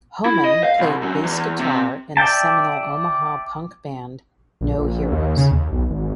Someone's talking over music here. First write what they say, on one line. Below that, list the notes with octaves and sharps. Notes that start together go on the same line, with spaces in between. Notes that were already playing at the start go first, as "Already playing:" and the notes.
Homan played bass guitar in the seminal Omaha punk band No Heroes.
E4
D#5
F5
C2
F#2
E2
C3
D5 E5 G5 A5
A#1
A#1
D#2
C#3
D#2
B1
G#1